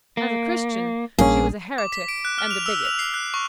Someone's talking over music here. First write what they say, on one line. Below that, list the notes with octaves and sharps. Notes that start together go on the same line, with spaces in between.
As a Christian she was a heretic and a bigot.
A#3
A#1 G3 A#3 C#4 D4 G#4
D6
B6
D7
F#6
F6
F7
E6
F7
C7
F#6
C#6